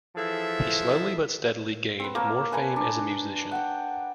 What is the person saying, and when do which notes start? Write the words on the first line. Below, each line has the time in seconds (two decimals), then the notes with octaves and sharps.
He slowly, but steadily, gained more fame as a musician.
0.16 E3 F3 G#4 A4 E5
2.00 C4 B4
2.15 A#3 A#4 C#5 A5
2.52 B4 G#5 A#5
2.76 D4
3.51 F#5 G5